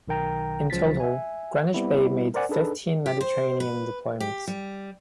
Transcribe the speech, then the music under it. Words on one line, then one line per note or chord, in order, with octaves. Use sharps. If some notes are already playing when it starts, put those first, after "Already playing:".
In total "Greenwich Bay" made fifteen Mediterranean deployments.
B1 D#3 A#4 G5 A#5
C#2 C#3 F3 F#3 A6 B6
E5 G#5
G3 B3 C4 E4
A#4 C5 D5 F#5 G#5
D4 D#4 G#4 A4 B4
G4
C5
B4
G4
G3